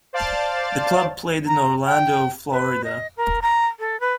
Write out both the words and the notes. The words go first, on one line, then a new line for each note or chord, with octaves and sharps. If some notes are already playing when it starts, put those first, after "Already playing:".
The club played in Orlando, Florida.
C5 D5 F5 A5 A6
A#5
G5
B4
D#5
A#4
A#5
A4
B4